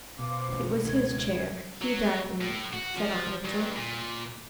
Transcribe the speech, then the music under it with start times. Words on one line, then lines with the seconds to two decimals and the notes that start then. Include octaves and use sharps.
"It was his chair; he died in it," said Aunt Rachel.
0.19 B2 C5 F5 D6
0.48 A1 F#2
0.85 C#2 G2 D#3 G#6
1.82 F#3
2.41 A2
2.73 F#4
2.97 F3
3.45 G2
3.76 A#2